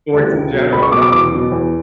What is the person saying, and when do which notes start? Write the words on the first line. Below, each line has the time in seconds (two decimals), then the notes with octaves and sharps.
Sports in general, yep, mhm.
0.13 D2 C#3 E3 G3
0.33 C#2
0.52 B2 F#3
0.72 C#2 B5
0.83 C#6
0.92 B2 F#3 D6
1.02 D6
1.12 E2 D6
1.32 B2 F#3
1.52 E2